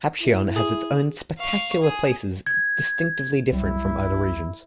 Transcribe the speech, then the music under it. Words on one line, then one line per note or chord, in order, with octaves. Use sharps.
Hapcheon has its own spectacular places distinctively different from other regions.
E4
G#4
F5 C#6
G#4
G#6
C2 F#3 G3 E4